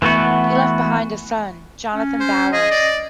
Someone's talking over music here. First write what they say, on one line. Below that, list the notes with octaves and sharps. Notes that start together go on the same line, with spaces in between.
He left behind a son, Jonathan Bowers.
E3 A3 B3 F#4
C#4
C5
G#4 D#5
D5